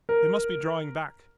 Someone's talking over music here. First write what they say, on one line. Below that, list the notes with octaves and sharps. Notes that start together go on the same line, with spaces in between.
They must be drawing back.
A#4